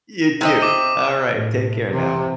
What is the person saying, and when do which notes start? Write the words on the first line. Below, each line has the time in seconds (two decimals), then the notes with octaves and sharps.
you too, alright, take care now.
0.41 C3 C4 D#5
0.62 D6 D#7
1.33 A2
1.90 C3 E3